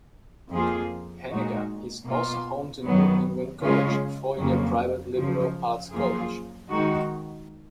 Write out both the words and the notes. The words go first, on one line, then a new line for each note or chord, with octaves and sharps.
Henniker is also home to New England College, a four-year private liberal arts college.
F2 F3 A#3 F4 G#4
A#2 G#3 D#4 F#4
B2 A#3 F4
F#2 D#3 F#3 B3
C#3 G#3 C#4 F4 G#4
F2 C#3 F#3 A#3
F#2 C#3 F3
F#2 F3 A#3 F4 G#4
D#3 G#3 D#4 F#4